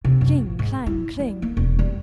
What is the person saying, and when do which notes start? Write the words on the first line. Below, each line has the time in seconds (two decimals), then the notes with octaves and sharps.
Cling, clang, cling!
0.05 C3
0.21 F#2
0.41 A1
0.59 G#2
0.86 E4
1.20 G3
1.42 A#3
1.57 E1
1.79 G3